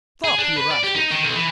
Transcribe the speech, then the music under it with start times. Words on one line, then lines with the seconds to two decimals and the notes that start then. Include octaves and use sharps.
"Stop, you rascals!"
0.24 G#4
0.38 D4
0.56 B4
0.71 D5
0.84 G4
0.96 D#4
1.12 D#3
1.24 B1
1.35 E3